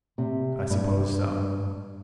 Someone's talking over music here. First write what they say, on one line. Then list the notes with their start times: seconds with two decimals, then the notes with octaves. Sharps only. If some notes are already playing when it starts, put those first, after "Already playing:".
"I supposed so."
0.18 C3
0.70 G2